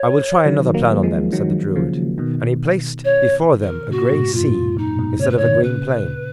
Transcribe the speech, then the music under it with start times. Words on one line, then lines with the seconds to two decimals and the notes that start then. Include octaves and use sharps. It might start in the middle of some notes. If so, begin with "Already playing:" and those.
"I will try another plan on them," said the druid; and he placed before them a grey sea instead of a green plain.
Already playing: C#5
0.46 D#3 F#3
0.74 F#3 A#3
1.03 F3 G#3
1.32 D#3 F#3
1.76 C#3 F3
2.18 B2 D#3
3.04 C#5
3.62 A#4
3.91 A#2 C#3 F#4
4.04 A#2
4.13 G#2 B2
4.34 F#2 A#2 F4
4.55 G#2
4.77 F#2 A#2 D#4
4.99 G#2 B2
5.19 A#2 C#3 C#5
5.29 B4
5.37 B2 D#3 C#5
5.62 A#2 C#3 B4